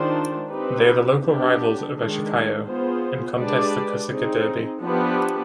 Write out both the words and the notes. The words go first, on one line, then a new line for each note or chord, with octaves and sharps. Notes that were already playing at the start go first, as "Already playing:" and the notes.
They are the local rivals of Ajaccio and contest the Corsica derby.
Already playing: D#3 G#3 D4 F4 C5
C4 D#4 G4 B4
B3 D4 G4
D#3 G#3 D4
B3 F4 G#4 C5
G#3 D4 G4 B4 D5
C4 D#4 G#4
F3 B3 D4 G4 B4